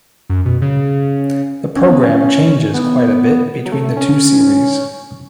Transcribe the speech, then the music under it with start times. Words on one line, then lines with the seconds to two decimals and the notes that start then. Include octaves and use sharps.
The program changes quite a bit between the two series.
0.29 F#2
0.45 B2
0.62 C#3
1.76 C#4
1.89 B3
2.04 C#4
2.74 B3
3.65 F#3
3.72 A3
3.97 C#4